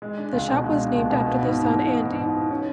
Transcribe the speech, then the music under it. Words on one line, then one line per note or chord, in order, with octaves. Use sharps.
The shop was named after their son Andy.
G#3
D4
C#2
B2
G#3
D4
C#2
B2
B3
G#2
G#2
E3
B3
G#2
G#2
E3
C#4